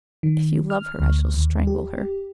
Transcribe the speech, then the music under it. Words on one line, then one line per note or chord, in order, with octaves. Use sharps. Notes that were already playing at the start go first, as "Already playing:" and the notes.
If you love her, I shall strangle her....
D#3
F6
D2
D#2
G4